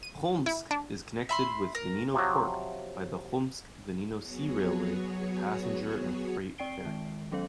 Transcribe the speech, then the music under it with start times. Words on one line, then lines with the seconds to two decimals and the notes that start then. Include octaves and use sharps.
Kholmsk is connected with Vanino port by the Kholmsk-Vanino sea railway passenger-and-freight ferry.
0.03 D#7
0.46 E4
0.71 D4
1.29 E5 B5 C6
1.75 A#4
2.14 C3 F3 F#3
4.16 F#3 B3 F#4 G#4 C#5
6.58 C4 D5 G5 C7 D7 G7
6.85 D#3 G#3
7.31 F#3 B3 C#4 A4 C5 F5